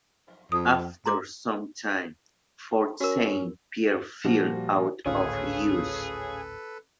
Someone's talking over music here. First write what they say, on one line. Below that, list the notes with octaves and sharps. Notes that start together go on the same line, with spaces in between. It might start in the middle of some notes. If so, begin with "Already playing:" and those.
After some time, Fort Saint Pierre fell out of use.
F2 D#6
G#2 A#5 C6 D6
C#4 F#4 A#4
A#2 F3 G3 F#4
G#1 D2 A2 C#4 F4 G#4 A4 B4